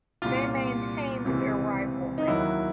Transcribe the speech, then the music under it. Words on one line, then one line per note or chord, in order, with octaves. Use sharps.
They maintained their rivalry.
C2 A#2 G3 F4
C#2 C3 E3
D#4
D#2 D#3 F#3 E4